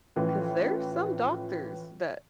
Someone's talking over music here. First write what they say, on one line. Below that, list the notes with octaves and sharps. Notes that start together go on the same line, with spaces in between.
'Cause there's some doctors that
A2 E3 F3 C#4 F4